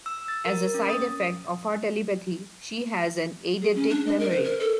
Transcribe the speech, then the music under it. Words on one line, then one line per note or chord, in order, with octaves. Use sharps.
As a side effect of her telepathy, she has an eidetic memory.
E6
A6
A#4
C#4
D#6
G#4
C#4
D4
D#5
A#4
C5
A#4
A4